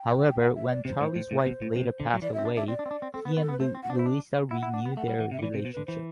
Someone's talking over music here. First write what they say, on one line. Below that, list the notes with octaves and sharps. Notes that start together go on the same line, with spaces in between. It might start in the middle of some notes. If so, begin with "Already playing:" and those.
However, when Charlie's wife later passes away, he and Louisa renew their relationship.
Already playing: G5
G5
F#5
E5
D5
C3 C5
A2
A2
A2
B2
A2
C3
D3
F#3
E3 D5
C4 E5
D4
D4 E5
C4 D5
D4
C4
D4
C4
C4 A4
B3 B4
B3
A4
B3
B4
A3 C5
C4
F#5
D4
C5
E4
D4
E4 F#5
E4
D4
B3
G5
A3 F#5
G3
E3
C3 E5
D3
E3 D5
C3
C5
B2
D3 B4
E3 C5